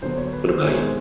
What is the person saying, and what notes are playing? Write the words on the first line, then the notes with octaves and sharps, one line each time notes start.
What about you?
D3 F#3 B3 C5
C#5
B4
C5
C3 D#3 G#3 B3 C#5
C5